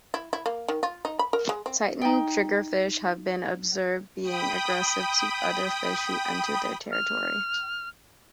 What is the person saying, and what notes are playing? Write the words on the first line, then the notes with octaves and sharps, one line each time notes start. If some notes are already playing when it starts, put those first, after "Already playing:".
Titan triggerfish have been observed being aggressive to other fish who enter their territory.
E4
E4
A#3
D#3
F4
D#4
B5
A#4
G#3
C4
D#4 G5
G5 B5 D#6
F6